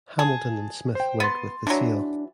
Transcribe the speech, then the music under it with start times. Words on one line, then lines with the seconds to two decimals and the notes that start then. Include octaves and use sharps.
Hamilton and Smith went with the sale.
0.19 G#4 A5
0.95 C5 G5
1.20 B3 C6 A6 D#7
1.67 E3 F#3 D4